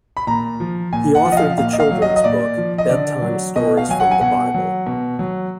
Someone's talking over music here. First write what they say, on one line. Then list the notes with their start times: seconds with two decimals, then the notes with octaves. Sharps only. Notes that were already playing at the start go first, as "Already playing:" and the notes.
He authored the children's book, "Bedtime Stories from the Bible".
0.17 B5
0.27 A#2 A#5
0.60 F3
0.93 A#2 G#5
1.15 F#5
1.25 F3
1.32 D#5
1.37 F5
1.58 A#2 F5
1.73 D#5
1.80 F5
1.91 F#3
2.02 D#5
2.16 D#5
2.24 A#2 D5
2.57 F3
2.78 D#5
2.89 D3 D5
3.22 F#3
3.56 B2 D#5
3.77 F5
3.89 F#3 G#5
4.00 F#5
4.11 G#5
4.21 B2 F#5
4.54 F#3
4.87 B2
5.19 F#3